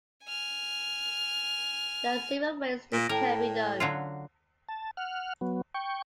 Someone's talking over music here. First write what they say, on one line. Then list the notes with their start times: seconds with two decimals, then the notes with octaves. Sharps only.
There are several ways this can be done.
0.25 G#5 F6
2.93 A#2 A#6 D7
3.09 A2 A4 A#4 G5 A5
3.80 D3 F#3 F4
4.69 A5
4.97 F#5 F6
5.41 F#3 B3
5.74 G5 C#6